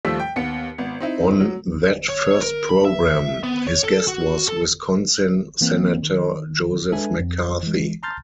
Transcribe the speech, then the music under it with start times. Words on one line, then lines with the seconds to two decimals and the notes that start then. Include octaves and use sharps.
On that first program, his guest was Wisconsin senator Joseph McCarthy.
0.05 D#2 F3 G3 A3 E6 B6
0.20 G5
0.36 D#2 B3 C#7
0.78 G#1 B3
1.00 C4 D#4 E4
1.40 F#3
2.09 C#5
2.42 A#4
2.69 B5
2.85 E5
3.43 B3
3.67 C#5
3.83 A4
4.07 F#4
4.48 A4
5.61 E3 A#3 C4
6.03 D#3
6.92 G#3 D4 A4 B4 E5 G#5
7.20 F2
7.63 E3 G#3
8.03 A5 A#5 C6 F6 G6 A6